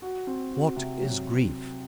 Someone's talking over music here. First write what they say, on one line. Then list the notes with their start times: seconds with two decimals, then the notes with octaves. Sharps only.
What is grief?
0.02 F#4
0.27 C4
0.52 F#4
0.76 C3
1.01 F#3